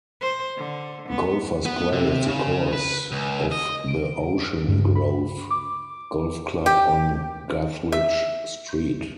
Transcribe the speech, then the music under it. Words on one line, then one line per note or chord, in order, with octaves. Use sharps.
Golfers play at the course of the Ocean Grove Golf Club on Guthridge Street.
C5
D3
B3
B3
C3
C#3
B4
C#2
D#5
D7
G2
B5
D6
G4
E5